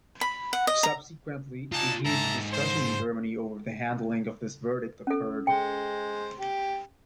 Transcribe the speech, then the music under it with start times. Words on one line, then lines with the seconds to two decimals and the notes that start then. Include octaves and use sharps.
Subsequently, a huge discussion in Germany over the handling of this verdict occurred.
0.21 B5
0.53 F#5
0.67 D#5
0.83 A#5
1.72 D4 D#4 F4 G#5 A5
2.05 G#2 A4 E5 A5 A#5
2.52 C5
5.07 C#4 A4
5.47 G#3 C5 G5
6.39 G4